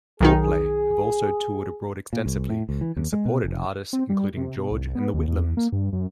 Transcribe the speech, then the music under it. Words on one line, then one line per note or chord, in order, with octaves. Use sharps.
FourPlay have also toured abroad extensively, and supported artists including george and The Whitlams.
B1 D#3 D#4 G#4
A#2
C2
A2
C#2
E3
D#2
G#3
B2
F1
C4
G3
C3
B2
C2
B3
D#2
E2
A#3
G2
F#2